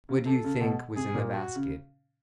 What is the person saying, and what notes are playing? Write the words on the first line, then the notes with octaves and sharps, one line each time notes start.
What do you think was in the basket?
C#3
C3 A4
C#3
B2
C3 G#4
A#2
F#4
C#3